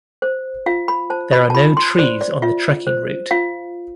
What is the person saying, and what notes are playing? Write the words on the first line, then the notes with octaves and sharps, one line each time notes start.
There are no trees on the trekking route.
C5
F4 F5
B5
C5 A5
B5
A5
F4 B5
C6
C5 D5
D5
F4 E5
C5
F4 F5